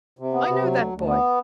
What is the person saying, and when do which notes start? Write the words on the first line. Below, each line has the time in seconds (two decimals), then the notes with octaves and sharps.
I know that boy.
0.19 C3
0.33 B3
0.48 C3
0.62 F#3
0.78 D2
0.93 D2
1.07 B3